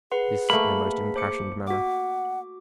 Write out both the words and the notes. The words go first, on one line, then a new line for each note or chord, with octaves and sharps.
This in a most impassioned manner.
G#4 B4 F#5 C6
A3 A#3 B5
C5 D6 C#7
F#4 F#5 D6